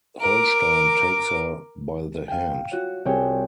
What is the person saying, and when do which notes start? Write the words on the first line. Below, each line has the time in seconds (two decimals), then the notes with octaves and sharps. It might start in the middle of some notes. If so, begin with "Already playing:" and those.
Holstein takes her by the hand.
0.21 A#4 D6
2.28 F5 G5
2.71 F4 F#4 C#5
3.05 C2 C4 G4 G#4 C#5 G5